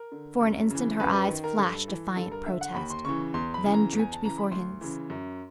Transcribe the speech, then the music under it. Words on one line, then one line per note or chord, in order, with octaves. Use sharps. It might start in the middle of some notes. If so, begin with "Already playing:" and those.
For an instant her eyes flashed defiant protest, then drooped before his.
Already playing: A#4
D3
F#2
C#3 E3
F#2 B4
B4
D#3
A#4
G2 A4
E3
G2 A4
A#4
D3 E5
F#5
D#2 B5
C6
C#3 E3 C#6
E2 C6
B5
C#3 E3
A#5
E2
G#5
A5
C#3 E3 A#5
B5
D2 C6
C#3 E3
F#2